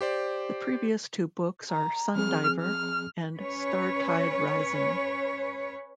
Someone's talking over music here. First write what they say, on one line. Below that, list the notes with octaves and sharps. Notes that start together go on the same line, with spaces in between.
The previous two books are "Sundiver" and "Startide Rising".
G4 C5 D5
A#5
F3 C4 G#4 F6
F6
C#4 B4 C#5